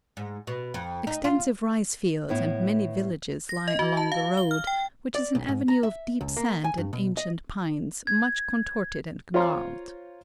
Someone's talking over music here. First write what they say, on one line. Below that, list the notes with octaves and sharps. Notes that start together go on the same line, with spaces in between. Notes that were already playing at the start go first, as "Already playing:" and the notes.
Extensive rice-fields and many villages lie along the road, which is an avenue of deep sand and ancient pines much contorted and gnarled.
G#2
B2
F2
D#4
F4
A2 B3 E4
A#6
D#5
F#4
A5
F5
G7
F6
G5
D5
B1
G#2
A#5
E5
C#2
A#3
G#5
G2
B2
D#5
G#6
F4 C5 C#5 F5 A#5 C6